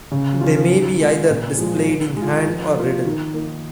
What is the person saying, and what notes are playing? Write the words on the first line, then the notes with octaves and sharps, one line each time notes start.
They may be either displayed in hand or ridden.
C#3
F3 C#4 F4
D#3
G#3 F4
A#2
F3 G#3 F4
D#3
G#3
F4
F3
A#3 F4
D#3
A#3 D#4